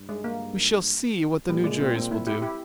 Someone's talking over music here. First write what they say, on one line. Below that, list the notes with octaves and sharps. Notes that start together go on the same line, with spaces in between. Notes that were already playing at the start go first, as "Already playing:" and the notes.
We shall see what the new juries will do.
Already playing: G2
G#3
A#3
A#2 G3
G#3
C4
C4
E4
E4 G4
E4 G4